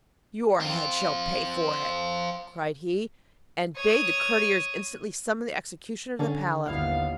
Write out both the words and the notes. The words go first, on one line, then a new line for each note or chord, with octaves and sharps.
Your head shall pay for it!' cried he; and bade the courtiers instantly summon the executioner to the palace.
C4 F4
C#5 D#6
D3 C#4 G#4 A4
G1 D#2 B3 E4 F4 F5